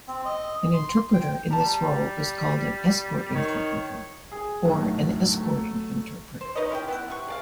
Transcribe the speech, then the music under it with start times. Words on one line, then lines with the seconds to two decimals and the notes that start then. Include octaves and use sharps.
An interpreter in this role is called an "escort interpreter" or an "escorting interpreter".
0.08 C4
0.25 D#5
0.74 C6
1.14 G5
1.50 G3 A5 A#5
3.34 D#3 C#5
4.32 G#4
4.65 B1 F#2 A2 D3 D#3
5.34 F#3 A3
6.41 C5
6.55 D#4 B4 C#5 D#5
6.70 C#4 E4 G#4 G5
6.88 B3 E4 F#5
7.10 C3 C#6
7.28 G#4 D5 F5